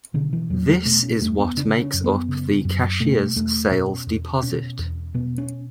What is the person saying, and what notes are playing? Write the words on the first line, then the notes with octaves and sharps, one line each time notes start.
This is what makes up the cashier's sales deposit.
B2 D3
E3
E2 F#3
G#3
B2 A3
C#4
E2 A3
B3
C#3 D4
C#4
F#2
B3
C#3
F#2
B2 A3
E2 A3
B2 C#4
E2
B2 C#4
E2
B2 B3
C#4